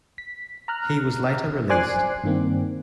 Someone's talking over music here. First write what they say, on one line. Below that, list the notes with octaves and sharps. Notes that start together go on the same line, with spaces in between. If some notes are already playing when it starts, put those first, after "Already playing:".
He was later released.
B6
A#5 F6 F#6
C5 D5 G#5 D6 F#6 C7
G2 D#3 A#3 C4